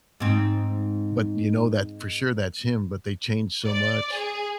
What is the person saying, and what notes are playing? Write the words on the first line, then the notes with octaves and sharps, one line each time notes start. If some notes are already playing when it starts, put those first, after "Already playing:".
but you know that for sure that's him, but they changed so much.
G#2 C4
D5
G#4